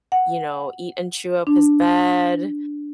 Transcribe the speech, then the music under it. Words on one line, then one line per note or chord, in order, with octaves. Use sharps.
you know, eat and chew up his bed,
F#5
D4